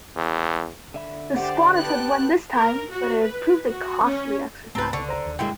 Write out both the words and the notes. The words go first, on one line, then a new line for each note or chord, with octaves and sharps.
The squatters had won this time, but it had proved a costly exercise.
E2
D3 E5 B5
G4 C5 D5 F#5
B3 G4 G5 A5 F#6
A#4
F#4
B4
F#4
C#4
C#2 G#2 A3 C4 B4 A5 A#5 A6
C#2 D3 A5 C#6
C5 A#5
D#2
G2 D3 F#3 G#3 A#3 E4 G5